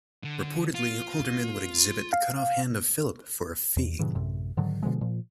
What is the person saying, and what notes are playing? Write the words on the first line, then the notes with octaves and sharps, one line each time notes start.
Reportedly, Alderman would exhibit the cut-off hand of Philip for a fee.
D3
F4
F5
E2
G2 A#2 C#3 E3
A1 F#2 C3
G#2 D3 D#3 F#3
B2 D3 F3 G#3
A#2 F3